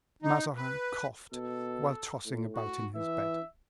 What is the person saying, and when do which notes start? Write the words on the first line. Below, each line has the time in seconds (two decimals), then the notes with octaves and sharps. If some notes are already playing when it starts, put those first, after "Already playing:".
Mazarin coughed while tossing about in his bed.
0.22 D#4
0.57 B4
1.32 B2 A4
2.26 A2
2.55 F#4
2.95 E3 E5